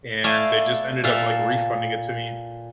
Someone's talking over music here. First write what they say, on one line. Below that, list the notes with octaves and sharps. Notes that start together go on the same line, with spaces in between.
and they just ended up, like, refunding it to me
A3 E4 D5 F5 G#5 A5
A#2 A4 E5 F5